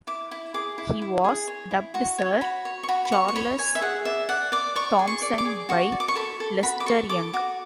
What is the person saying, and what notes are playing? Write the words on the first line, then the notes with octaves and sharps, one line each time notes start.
He was dubbed Sir Charles Thompson by Lester Young.
E4 D6
E4
G#4 D6
E4
E4
G#4
C#5
E4
F#4 C#6
C#5
F#4 B5
C#5
C#6
F#4 B5
B5
C#5 C#6
C#6
C#5 B5
C#5 G#5
E5
G#4 F#5
D5 E5
D5 F#5
D5 D6
D5 C#6
G#4
C#6
D5
D6
G#4
F#4 C#6
D5
D6
C#6
A4 B5
A4
F#4 B5
D6
A4 C#6
A4 D6
F#4 D6